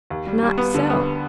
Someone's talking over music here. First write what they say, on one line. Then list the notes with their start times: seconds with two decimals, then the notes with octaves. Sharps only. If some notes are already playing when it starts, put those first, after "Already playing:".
Not so.
0.10 D#2
0.27 G3
0.43 G3
0.58 B3
0.74 D3
0.90 B3